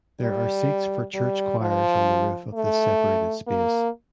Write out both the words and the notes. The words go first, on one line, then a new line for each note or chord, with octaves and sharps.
There are seats for church choirs on the roof of this separated space.
G3
G3
F3
A3
A#3